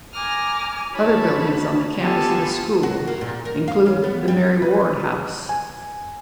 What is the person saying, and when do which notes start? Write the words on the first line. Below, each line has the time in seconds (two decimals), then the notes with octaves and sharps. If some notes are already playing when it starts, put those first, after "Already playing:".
Other buildings on the campus of the school include the Mary Ward House.
0.13 G#5 A#5 D6 D#6 F6
0.93 D#4 F#4 C#5 A5 B5
2.01 B3 F4 G4 A4 G#5
2.83 F#4
3.07 A#3
3.21 A#2
3.45 A#4
3.68 F5
3.86 C#3
4.03 B3
4.28 G3
4.62 B4
5.49 G#5